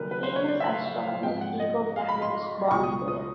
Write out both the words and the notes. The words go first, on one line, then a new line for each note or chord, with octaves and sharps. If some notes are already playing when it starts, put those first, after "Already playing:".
The famous astronomer Tycho Brahe was born there.
Already playing: F#1 F#2 D#3 G3 A#4 B4
B4
C5
C#5
D5
E5
F5
E5
F5
G#2 F3 G#3 C4 G5
F#5
D#5
F5
B5
C6
C#2 B2 F#3 C#6
D#6
D#6